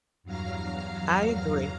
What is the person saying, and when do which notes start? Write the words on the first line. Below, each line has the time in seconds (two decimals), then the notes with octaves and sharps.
I agree.
0.23 E2 G2 F#3 F5 A#5 F6